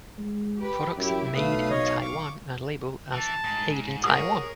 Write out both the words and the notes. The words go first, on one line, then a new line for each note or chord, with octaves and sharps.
Products made in Taiwan are labeled as "Made in Taiwan".
G#3
G4 B4
F#2 E4 G4
B1 A3 B4 F5 D#6
C#5 D#5
C#6 D6
E3 A5
G#2
F#4 G#4 A#4 C#5 D#6